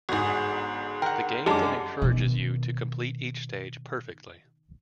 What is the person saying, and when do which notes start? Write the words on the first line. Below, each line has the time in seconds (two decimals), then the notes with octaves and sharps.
The game then encourages you to complete each stage "perfectly".
0.09 G1 G#2 F#4 G#4
1.02 A#4 F#5 G5
1.46 F#2 D3 G#3 G4 A5 D6
2.02 B2 D#3